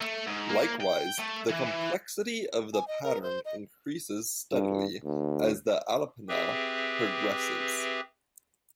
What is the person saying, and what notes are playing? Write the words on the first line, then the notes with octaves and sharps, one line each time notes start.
Likewise, the complexity of the patterns increases steadily as the alapana progresses.
A3
G#2
A#3
G5
A3
E3
E3
G#5
D#5
A#4
C5
D#5
G2
D2
C4 G4 G#4 B4 E5